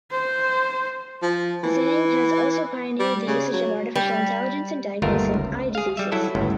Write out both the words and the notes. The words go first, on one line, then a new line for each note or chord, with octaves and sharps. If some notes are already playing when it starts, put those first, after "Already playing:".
Zhang has also pioneered the usage of artificial intelligence in diagnosing eye diseases.
C5
F3
E3
G3
C#3
F#3
G3
G1 D#2 A3 F4 A#4
C#2
G#4 F5
G3 E5
F#3 E4 A4
G1 C#2 A2